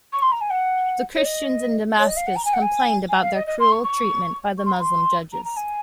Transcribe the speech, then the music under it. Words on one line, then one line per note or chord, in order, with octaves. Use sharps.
The Christians in Damascus complained about their cruel treatment by the Muslim judges.
C#6
C6
A#5
G#5
F#5
C#5
D#5
C#5
D#5
F5
F#5
A#5
G#5
F#5
G#5
G#5
F5
D#5
D#5
C6
C#6
C#6
C#6
C6
A#5
C6
A#5
A#5
G#5